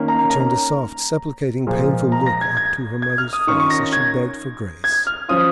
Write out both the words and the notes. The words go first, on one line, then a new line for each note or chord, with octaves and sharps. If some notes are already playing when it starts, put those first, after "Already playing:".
She turned a soft supplicating painful look up to her mother's face as she begged for grace.
Already playing: D#3 A#3 C#4
A#5
A#5
A#2 F3 G#3
A#5
A#6
G#6
G#6
G#6
F6
D#6
D#3 C#4 F4 C#6
C#6
A#6
G#6
G#6
F6
F3 C#4 F4 D#6